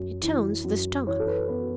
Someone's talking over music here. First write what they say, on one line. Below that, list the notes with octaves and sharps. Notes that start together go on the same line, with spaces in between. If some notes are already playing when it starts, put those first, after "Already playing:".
It tones the stomach.
Already playing: F#2
E3
F#2
E3 C#5
A4
B4
B3 B4